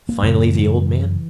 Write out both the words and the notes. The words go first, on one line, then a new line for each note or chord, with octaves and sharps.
Finally, the old man?
A#3
F#2 C#3
E3